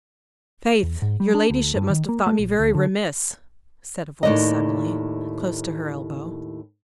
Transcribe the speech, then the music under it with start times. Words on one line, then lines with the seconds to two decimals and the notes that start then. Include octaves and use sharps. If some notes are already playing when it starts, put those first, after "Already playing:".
"Faith! your ladyship must have thought me very remiss," said a voice suddenly, close to her elbow.
0.83 E2
1.02 G#2
1.20 G3
1.35 D4
1.50 D2
1.75 G2
1.90 D#3
2.09 A#3
2.27 A3
2.39 A#1
2.59 D2
2.75 D3
4.23 D#2 A2 A3 D5 D#5